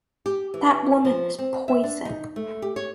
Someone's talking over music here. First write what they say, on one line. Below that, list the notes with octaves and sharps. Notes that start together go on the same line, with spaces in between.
That Woman Is Poison!
G4
E3
F3
C4
E5
D4
D#4
A3
G4
C#5